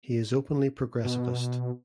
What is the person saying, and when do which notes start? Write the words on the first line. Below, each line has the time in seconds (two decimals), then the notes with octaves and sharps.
He is openly progressivist.
1.04 B2